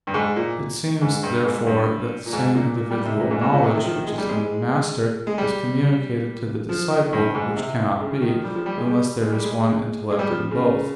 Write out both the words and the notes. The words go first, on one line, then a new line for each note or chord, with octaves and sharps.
It seems, therefore, that the same individual knowledge which is in the master is communicated to the disciple; which cannot be, unless there is one intellect in both.
G2
G#2
A#2
G#2
G2
G#2
G2
A#2
G#2
A#2
A#2
G3
C3
A#2
G#2
G#2
A#2
C3
D#3
F3
D#3
G#3
G3
G#3
G#3
G3
F3
D#3
G2
G#2
C3
C#3
C#3
D#3
F3
G3
F3
G3
G#3
G3
G#3
G3
G#3
G#3
G3
F3
C#3